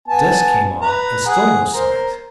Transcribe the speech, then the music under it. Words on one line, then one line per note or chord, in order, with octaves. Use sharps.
Dusk came on, and still no signs.
B3 G#5 A5
B4 A#5
G#4 F#5
A#4 C5